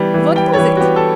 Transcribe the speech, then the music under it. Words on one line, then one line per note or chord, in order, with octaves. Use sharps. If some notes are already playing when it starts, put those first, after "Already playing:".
"What was it?"
Already playing: E3 G3 B3
E3
G3 G5
C#5
E3 B4
F#4
B3 G4
A4